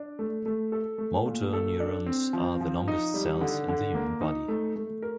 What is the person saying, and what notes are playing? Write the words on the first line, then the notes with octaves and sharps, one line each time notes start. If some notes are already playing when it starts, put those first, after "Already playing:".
Motor neurons are the longest cells in the human body.
Already playing: D4
A3
A3
A4
A3
A#2
A4
D4
C4
F3
F3
D#4
G3
D3
D3
A#3
D#4
A3
A3
A#4